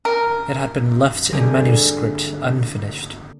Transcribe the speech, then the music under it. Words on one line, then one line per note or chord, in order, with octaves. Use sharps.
It had been left in manuscript, unfinished.
A#4
D3 G3 A#3 C4 G4 G#4